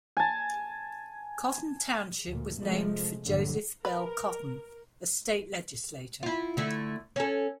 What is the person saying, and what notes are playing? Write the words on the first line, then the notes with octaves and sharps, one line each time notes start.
Cotton Township was named for Joseph Bell Cotton, a state legislator.
G#5 A5
D2 A#2
C3 F3 G#3 A3
A#1 G2 D3 F#3
A#4 B4
E4 F4
D3 A3 E4
C#4 A4